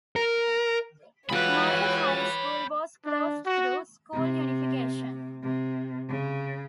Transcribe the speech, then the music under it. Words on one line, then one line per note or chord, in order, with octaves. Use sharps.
Morrill High School was closed through school unification.
A#4
E3 G#3 F4 F#4 B4 C#5 G5 B5
D4
F#4
C3
C3
C#3